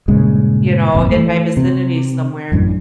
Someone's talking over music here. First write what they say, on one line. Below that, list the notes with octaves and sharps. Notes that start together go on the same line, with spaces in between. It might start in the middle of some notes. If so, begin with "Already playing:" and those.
you know, in my vicinity somewhere,
G2 A#2 C#3 G#3
G1 C2 F2 A#2
E3 A3
C3
A1 F#2 A2 D4